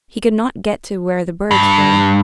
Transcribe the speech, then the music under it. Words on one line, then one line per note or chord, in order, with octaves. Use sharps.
He could not get to where the birds were.
G2